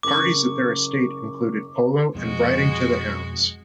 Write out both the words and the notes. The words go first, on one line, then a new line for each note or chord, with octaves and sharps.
Parties at their estate included polo and riding-to-the-hounds.
F#1 C#6 D6
F2 B2 F3 G#3 F#4